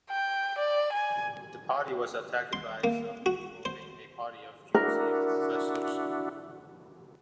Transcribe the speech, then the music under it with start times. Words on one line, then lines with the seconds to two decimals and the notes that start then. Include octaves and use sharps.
The party was attacked by some for being a party of Jews and professors.
0.11 G5
0.58 D5
0.93 G#5
2.53 C6
2.84 A#3
3.26 F#4
3.65 C5
4.75 D4 E4 F#4 A#4